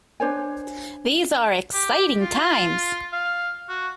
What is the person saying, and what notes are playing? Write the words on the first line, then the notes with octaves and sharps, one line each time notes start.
These are exciting times.
D4 C5 C#5 G#5
G4
F4
F5
F#4